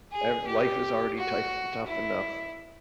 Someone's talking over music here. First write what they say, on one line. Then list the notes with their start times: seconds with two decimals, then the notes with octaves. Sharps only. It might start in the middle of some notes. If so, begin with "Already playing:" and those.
Ev life is already tife tough enough.
0.12 G#4
0.47 G4
1.18 F#4
1.87 E4